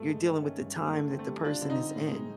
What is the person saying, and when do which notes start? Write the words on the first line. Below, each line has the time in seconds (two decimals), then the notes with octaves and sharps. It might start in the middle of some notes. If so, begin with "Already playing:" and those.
you're dealing with the time that the person is in,
Already playing: G2 A3
0.08 G#3
0.26 D#3
0.43 C#4
0.60 G2
0.76 G#3
0.87 A#3
0.94 D3 A3
1.11 C4
1.19 A3
1.27 G3
1.45 D4 F4
1.62 D3
1.70 D#4
1.79 C4
1.96 A2
2.12 G#3